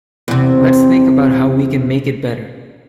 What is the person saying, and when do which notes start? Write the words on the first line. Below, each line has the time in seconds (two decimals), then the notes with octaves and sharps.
Let's think about how we can make it better.
0.28 E2 C3